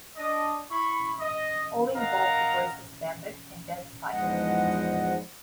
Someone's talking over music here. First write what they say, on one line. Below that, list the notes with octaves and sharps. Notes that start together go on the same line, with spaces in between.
All involved were suspended and then fired.
D4 D#5
E4 B5 C#6
D#5
A#4 D#5 F5 F#5 A#5
E2 G#2 F3 G#3 D#5 F#5